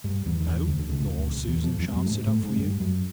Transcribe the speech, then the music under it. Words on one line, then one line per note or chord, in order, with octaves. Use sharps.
No: nor Susan shan't sit up for you.
G2 G3
E2 E3
D#3
E2 E3
D2 D3
D3
C#2 C#3
D2 D3
C3
C#2 C#3
E2 E3
F2 F3
F2 F3
G3
F#2 F#3
A3
G#2 G#3
A2 A3
G#2 G#3
G#3
G2 G3
F#2 F#3